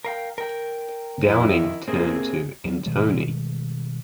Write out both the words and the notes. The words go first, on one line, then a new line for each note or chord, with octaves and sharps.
Downing turned to Antoni.
A#4 F5 G5
A#4 G5
F2 D#3 E4
C3 A#3 C4 G#4
F#3
B2 D#3 G3 G#3